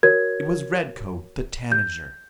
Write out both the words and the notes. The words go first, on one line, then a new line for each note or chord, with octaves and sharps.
It was Redcoat the Tanager.
F#4 A#4 C#5 G#6
G6